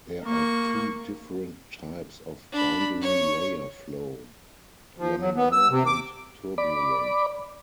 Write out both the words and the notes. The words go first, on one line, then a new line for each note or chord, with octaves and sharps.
There are two different types of boundary layer flow: laminar and turbulent.
A#3 C#6
D4 B5
C#5 C#6
F3
F#3
B3
E6
C3
D6
D5 B5 D6